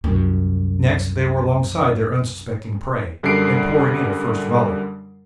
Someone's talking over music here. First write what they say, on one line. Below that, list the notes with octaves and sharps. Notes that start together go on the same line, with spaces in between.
Next they were alongside their unsuspecting prey, and pouring in a first volley.
C2 F#2
F#2 D3 G3 A#4 C7 D7